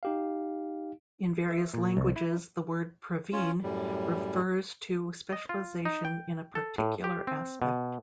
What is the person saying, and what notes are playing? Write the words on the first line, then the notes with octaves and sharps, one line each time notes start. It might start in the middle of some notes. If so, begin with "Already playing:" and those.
In various languages the word "praveen" refers to specialization in a particular aspect.
D#4 G4 F5
E5
A#2
C2
E4
C#4 F4
F#2 A2 G3
D#5
F4
D#4
G5
A4
A2
G4
C4
B2